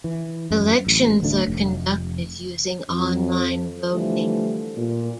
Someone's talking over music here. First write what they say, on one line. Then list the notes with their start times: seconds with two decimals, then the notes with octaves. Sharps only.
Elections are conducted using online voting.
0.04 E3
0.51 F#2
0.87 A1
1.22 D1 D2 A3 D4
1.48 F1
2.89 F2
3.93 D3 E3 F3 G3 A3
4.77 A#2